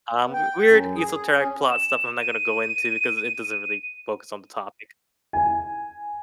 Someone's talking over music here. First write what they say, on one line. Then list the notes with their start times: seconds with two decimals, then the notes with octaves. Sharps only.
um, weird esoteric plot stuff I'm not gonna go into because it doesn't really focus on the topic.
0.15 B3
0.33 G5
0.66 F#2
0.96 G#4
1.37 C#4
1.71 E7
2.20 D#7
5.33 G#5